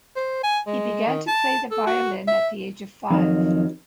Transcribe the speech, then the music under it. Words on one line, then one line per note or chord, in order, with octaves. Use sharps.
He began to play the violin at the age of five.
C5
G#5
G#3
D#3
A5
A4
F#4
E5
F2 D#3 F#3